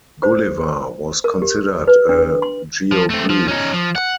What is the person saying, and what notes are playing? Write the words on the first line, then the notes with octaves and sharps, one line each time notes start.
"Gulliver" was considered a geoglyph.
C5
A#4
G4
B4
D4
C6
F3
A3 C4
F3
C#4 D#4
F3
F#5